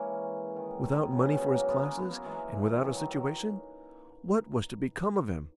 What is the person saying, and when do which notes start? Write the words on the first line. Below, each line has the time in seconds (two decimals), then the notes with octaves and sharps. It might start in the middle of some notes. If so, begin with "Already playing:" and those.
Without money for his classes, and without a situation--what was to become of him?
Already playing: E3 G#3 A#3 C#4
0.56 D#3
0.84 D#3
1.05 B2
1.12 C#3
1.26 B2
1.34 D#3
1.40 C#3
1.55 F#3 A#3
1.69 G#3 B3
1.83 A#3 C#4
1.97 G#3 B3
2.11 F#3 A#3
2.26 E3 G#3
2.82 D#3 F#3
2.96 D#3 F#3
3.11 D#3 F#3